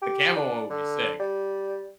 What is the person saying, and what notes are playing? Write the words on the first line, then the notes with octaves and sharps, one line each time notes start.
The camo one would be sick.
G4
D4
D3
G3